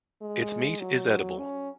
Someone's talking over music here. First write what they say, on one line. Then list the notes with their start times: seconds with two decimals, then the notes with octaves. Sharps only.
Its meat is edible.
0.22 G#3
0.80 F#3
1.39 C#4